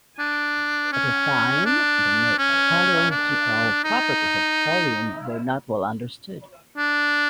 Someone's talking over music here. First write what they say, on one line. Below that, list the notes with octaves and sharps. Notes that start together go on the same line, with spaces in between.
At the time the metallurgical properties of thorium were not well understood.
D4
C#4
D4
C#4
D4
D#4
D4